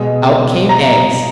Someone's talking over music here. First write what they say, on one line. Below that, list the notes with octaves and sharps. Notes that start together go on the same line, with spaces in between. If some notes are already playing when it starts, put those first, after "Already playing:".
Out came eggs.
Already playing: B2 G#3
A#5